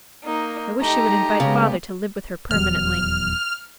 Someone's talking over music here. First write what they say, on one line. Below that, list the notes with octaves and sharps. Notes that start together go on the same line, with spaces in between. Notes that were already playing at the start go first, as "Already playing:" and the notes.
I wish she would invite father to live with her permanently.
A#3 D#4
A3 D#4 G4 A#5
C#3 G#3 B3
D#1 E2 F#3 F6